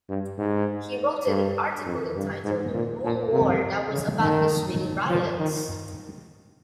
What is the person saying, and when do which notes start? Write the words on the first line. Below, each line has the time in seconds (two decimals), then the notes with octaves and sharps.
He wrote an article entitled "The Rural War" that was about the Swing Riots.
0.09 G2
0.39 G#2
1.27 G2
1.86 F2
2.15 G2
2.44 G#2
2.74 A#2
3.04 A#2
3.32 C3
3.92 C#3
4.22 D#3
5.10 F3
5.39 D#3